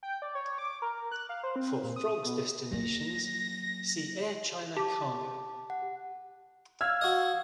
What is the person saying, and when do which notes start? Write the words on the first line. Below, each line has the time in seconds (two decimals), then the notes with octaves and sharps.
For frogs destinations see Air China Cargo.
0.03 G5
0.22 D5
0.35 C#5
0.58 D6
0.82 A#4
1.11 F#6
1.29 F5
1.43 C5
1.56 C4
1.83 A#2
1.96 D#6
2.25 B2
2.71 F#3 A#3 A#6
4.77 G4 A5 D6
5.70 F#5
6.81 F5 E6 F6 G#6
7.01 F#4 D#5